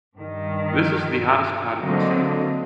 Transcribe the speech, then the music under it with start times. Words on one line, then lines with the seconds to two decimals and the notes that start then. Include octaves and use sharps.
This is the hardest part of my setup.
0.16 G2 D#3
1.79 D3 F#3 A#3 C4 D#5